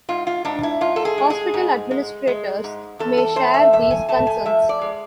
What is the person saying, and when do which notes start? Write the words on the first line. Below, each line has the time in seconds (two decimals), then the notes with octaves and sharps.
Hospital administrators may share these concerns.
0.09 G#2 F4
0.27 F4
0.45 G#2 D4
0.63 E4
0.81 G#2 F4
0.96 A4
1.05 G#4
1.18 G#3
1.30 G#4
1.54 G#2
1.91 G#3
2.27 G#3
2.64 G#2
2.99 E2 A4
3.17 A4
3.36 A3 C5
3.54 E5
3.73 E2 E5
3.91 G#5
4.09 A3 A5
4.27 G#5
4.46 F3 E5
4.69 D5
4.81 G#3